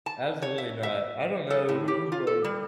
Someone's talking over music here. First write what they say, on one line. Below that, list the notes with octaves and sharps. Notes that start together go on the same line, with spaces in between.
Absolutely not. I don't know who, like
A5
C#5
E5
E5
A4
A2
G4
F4
A4
G3